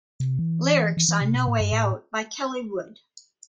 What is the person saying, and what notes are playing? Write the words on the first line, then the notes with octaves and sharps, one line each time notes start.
Lyrics on "No Way Out" by Kelly Wood.
C3
E3
E3
E3
C3
B2
A2
G2
A2